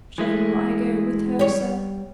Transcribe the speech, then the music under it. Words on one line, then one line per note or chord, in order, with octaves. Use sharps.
"Shall I go with her, sir?"
E3 G#3 E4
G3 C#5